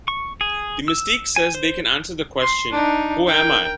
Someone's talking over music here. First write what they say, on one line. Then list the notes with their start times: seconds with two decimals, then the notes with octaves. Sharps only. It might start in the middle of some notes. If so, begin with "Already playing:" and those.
The mystique says they can answer the question 'Who am I?
0.08 C#6
0.41 G#4
0.88 E6
1.36 G#5
1.55 C5
2.41 C6
2.71 D4 D#4
3.27 A#4 G5